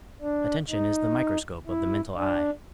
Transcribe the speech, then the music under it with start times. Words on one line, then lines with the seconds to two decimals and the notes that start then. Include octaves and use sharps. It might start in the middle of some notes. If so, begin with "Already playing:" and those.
Attention is the microscope of the mental eye.
0.21 D4
0.70 D#4
1.67 E4
2.16 D4